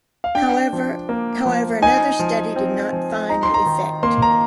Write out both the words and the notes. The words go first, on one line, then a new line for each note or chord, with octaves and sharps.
However, another study did not find the effect.
F5
D4 G5
F3
A#3
F3
D#4 G#5
F3
C4
F3
D#4 A#5
C6
A#5
D#3
A#3 C6
A#5